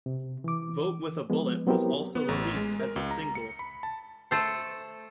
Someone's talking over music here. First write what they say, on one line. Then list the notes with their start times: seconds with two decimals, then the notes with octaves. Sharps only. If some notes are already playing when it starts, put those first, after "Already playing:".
"Vote with a Bullet" was also released as a single.
0.06 C3
0.44 E3 D6
1.30 F3 G#3 B3
1.67 F#3 B3 C4 E4 G4 A#4
2.15 B3
2.28 A1
2.56 G#3
2.80 A#4
2.96 C#2
3.11 A#5
3.35 C#7
3.59 B5
3.83 A5
4.31 A3 A4 C5